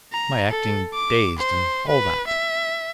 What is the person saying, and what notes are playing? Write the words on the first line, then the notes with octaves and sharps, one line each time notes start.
"My acting dazed and all that?"
A#5
A4
D6
C5
B4
E5